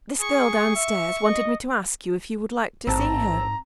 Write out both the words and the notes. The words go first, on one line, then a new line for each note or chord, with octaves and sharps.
This girl down-stairs wanted me to ask you, if you would like to see her.'
G#4 C#6
E5
D#5
A1 G#2 C4 A5 A#5